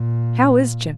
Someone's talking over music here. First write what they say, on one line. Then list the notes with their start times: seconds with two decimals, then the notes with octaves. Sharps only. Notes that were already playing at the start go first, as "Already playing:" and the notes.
How is Jim?
Already playing: A#2